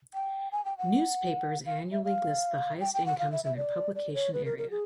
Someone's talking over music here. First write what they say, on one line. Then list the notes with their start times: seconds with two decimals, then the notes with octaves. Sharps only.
Newspapers annually list the highest incomes in their publication area.
0.14 G5
0.52 G#5
0.65 G5
0.78 F#5
1.66 F5
1.92 E5
2.04 F5
2.81 G5
2.94 G5
3.06 F#5
3.19 F5
3.32 E5
3.44 E5
3.57 D5
3.95 D5
4.14 C#5
4.34 B4
4.45 A#4
4.58 A#4
4.71 G#4